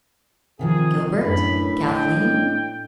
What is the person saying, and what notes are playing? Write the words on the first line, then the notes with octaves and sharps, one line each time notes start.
Gilbert! Kathleen!
C3 D#3 F3 G#4
F#2 A2 D4 B4 B5
D4 D#5 G5